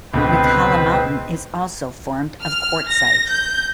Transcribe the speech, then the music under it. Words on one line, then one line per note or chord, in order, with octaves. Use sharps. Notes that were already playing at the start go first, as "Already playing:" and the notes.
Knockalla Mountain is also formed of Quartzite.
C#2 B2 D3 C4 B4
F6
A#6
G6